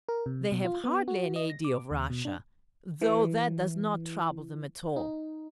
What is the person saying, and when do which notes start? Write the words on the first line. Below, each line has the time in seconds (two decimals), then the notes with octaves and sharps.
They have hardly any idea of Russia, though that does not trouble them at all.
0.09 A#4
0.26 C3
0.52 B2
0.65 F4
0.84 B3
1.08 F#4
1.36 D#5
1.50 A#6
1.65 D6
1.91 D#2
2.10 B2
2.25 D4
3.02 E3
4.96 D#4